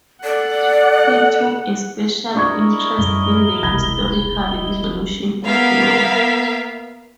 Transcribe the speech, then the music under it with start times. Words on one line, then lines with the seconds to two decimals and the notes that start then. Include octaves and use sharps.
He took a special interest in the historical evolution of law.
0.24 A4 D5 F#5
2.35 D4 E4 A#4 D#5 C#6 G#6
2.98 F#2 A2 G3 G7
3.63 E1 C2 B5 G#6 A#6
4.35 E4 D#5
5.46 A#3 B3 A#4 E5 F5 B6